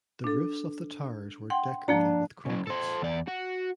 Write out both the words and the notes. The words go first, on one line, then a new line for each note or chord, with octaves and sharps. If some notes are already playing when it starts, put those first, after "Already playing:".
The roofs of the towers were decorated with crockets.
D4 A4
F#5 G5 C6
F3 A#3 D4 A#5
C#3 F#3
A4 C5
E2 D5
F#4